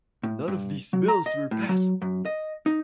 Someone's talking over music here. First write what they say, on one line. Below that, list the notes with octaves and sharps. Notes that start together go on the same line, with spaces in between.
None of these bills were passed.
A2
G2
F#3
A#5
D#5
A2
F#3
F#2
D#5
D#4